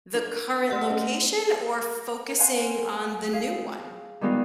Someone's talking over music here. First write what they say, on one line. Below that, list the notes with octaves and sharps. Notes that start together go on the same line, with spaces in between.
the current location or focusing on the new one?
D4 F4 A#4
A3 G4 F#5
C#4 G#4 D#5
F5 F#5 G#5 C6
G#4 F5
D#3 G3 G#3 B3 D#4 F4